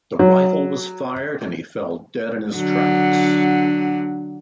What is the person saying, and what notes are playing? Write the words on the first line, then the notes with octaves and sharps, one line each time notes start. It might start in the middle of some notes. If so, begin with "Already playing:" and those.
The rifle was fired and he fell dead in his tracks.
F#3
D3 F#3